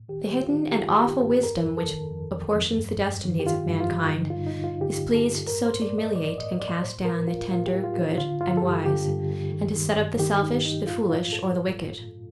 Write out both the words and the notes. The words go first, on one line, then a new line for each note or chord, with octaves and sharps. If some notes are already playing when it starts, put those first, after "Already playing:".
The hidden and awful Wisdom which apportions the destinies of mankind is pleased so to humiliate and cast down the tender, good, and wise, and to set up the selfish, the foolish, or the wicked.
Already playing: A2
D#3 G4
G4
D#3
F4
D#3
D#4
G4
G2 F4
D#3 G4
G2 A4
F2 A#4
F2
A4
D#3
F2
F2
F2
G2
G2
D#3
G4
D#3 F4
G2
F4
G2
D3 D#4
F4
G2
D#4
G2
F4
D3 G4
D3
A4
G2
A2 A#4
C5
A2
D5
A2
D#5
A2 D5
A2 D#5
A2 D5
A2 C5
A2 A#4
A2 F4
A2 F4
G4
A2
F4
A2
D#4
D3 F4
G2 F4
A4
G2 G4
D3 G4
G2
G2
D#3
D#3
G2
D#3 G4
D#3 D#4
G2 D#4
A2 F4
A2 F4
A2 A4
A2
A2
A2